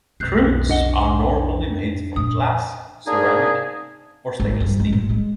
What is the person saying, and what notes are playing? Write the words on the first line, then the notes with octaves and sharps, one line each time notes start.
Cruets are normally made from glass, ceramic, or stainless steel.
B1 F2 F#6 G6 C7
D4 D#5 F#5 G7
A#2 D#6
A#3 D4 D#4 G#4
G#1
G2
G#3
A2
G#3